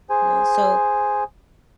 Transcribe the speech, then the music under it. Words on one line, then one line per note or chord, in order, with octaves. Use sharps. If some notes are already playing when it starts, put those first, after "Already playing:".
you know? So
G#4 C5 G#5